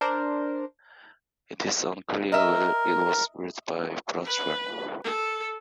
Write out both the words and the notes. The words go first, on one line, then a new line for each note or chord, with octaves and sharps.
It is unclear whether it was ruled by Brochwel.
D4 A#4 C5
A#4 D#5 E5
B4
A4